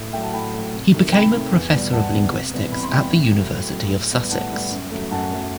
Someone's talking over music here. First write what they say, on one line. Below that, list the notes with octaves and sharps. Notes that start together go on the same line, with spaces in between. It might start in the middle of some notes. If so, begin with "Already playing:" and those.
He became a professor of linguistics at the University of Sussex.
Already playing: A2
F#3 A3 E5 G5
F#5 A5
A2 G5 B5
F#3 A3
C3
D#3 A3
C3 G5 B5
D#3 A3
E2
B2 G3
E2 F#5 A5
B2 G3
C3
E3 G3 B3
C3 B5
C6
E3 G3 B3 G5 B5
A2
F#3 A3
A2
F#3 A3
A2
G3 B3
A2 F#5 A5
G3 B3
F#2
F#3 A3
F#2 F#5 A5
F#3 A3